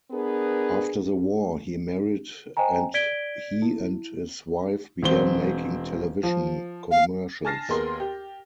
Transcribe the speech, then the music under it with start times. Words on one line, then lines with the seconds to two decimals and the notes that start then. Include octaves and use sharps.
After the war, he married and he and his wife began making television commercials.
0.11 B3 D4 G#4 A#4 B4
2.57 C5 D#5 G5 G#5 A#5
2.94 D5 G#6 B6 D7 G7
3.62 E4
5.03 E1 C4 G7
6.23 F3
6.91 F5
7.45 G#5 A5 F6 A6 A#6 C7
7.69 D#2 B3 G#4 A#4 C6 A#6
8.00 G4